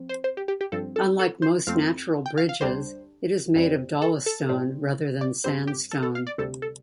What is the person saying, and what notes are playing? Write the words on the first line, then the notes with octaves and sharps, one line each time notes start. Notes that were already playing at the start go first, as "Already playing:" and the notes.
Unlike most natural bridges it is made of dolostone rather than sandstone.
Already playing: F3 C4
C5
C5
G4
G4
G4
G2 F3 C4 A4
A4
A4
C5
F2 F3 A3 C4 F5
G5
F5
F5
D2 D3 G3 D4 C5
F2 C3 G3 C4
A4
A4
A2 G3 C4
D5
G2 G3 C4 C5
G4
A4
A4
F5
D5
D2 C3 G3 A4
A4